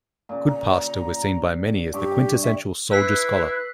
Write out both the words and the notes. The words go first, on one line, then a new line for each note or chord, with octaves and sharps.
Goodpaster was seen by many as the quintessential "soldier-scholar".
A#2 C#3
A#5
G2 G4 C#5 D6
G4 C#5 E5
E4 B4 E6 F#6 B6 C7